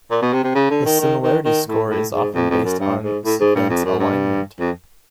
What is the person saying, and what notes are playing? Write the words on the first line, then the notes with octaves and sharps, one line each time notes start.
The similarity score is often based on sequence alignment.
A#2
B2
C3
C3
C#3
D3
D#3
D#3
D#3
D#3
A2
A2
G#2
F2
F2
F#2
G2
G#2
A2
G#2
G2
F2
F#2
G2
F2